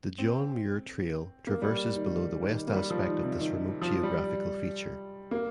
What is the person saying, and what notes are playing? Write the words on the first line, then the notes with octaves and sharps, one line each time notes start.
The John Muir Trail traverses below the west aspect of this remote geographical feature.
C4
A#3
G3
D#3
D#3
A#3
G3
F3
D#3
C3
D#3
F3
G3
A#3